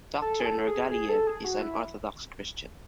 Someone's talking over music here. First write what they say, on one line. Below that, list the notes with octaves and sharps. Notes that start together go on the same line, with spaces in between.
Doctor Nurgaliyev is an Orthodox Christian.
A4
G#4
A4
G#4
G#4
A4
G#4
F#4
E4